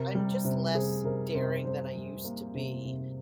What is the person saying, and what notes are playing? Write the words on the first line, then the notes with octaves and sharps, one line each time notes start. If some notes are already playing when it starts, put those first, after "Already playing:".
I'm just less daring than I used to be.
Already playing: C3 A#4
G3
C3
C3 G#4
C3 A#4
C3 C5
G3 C5
G3
A#3
C3
C3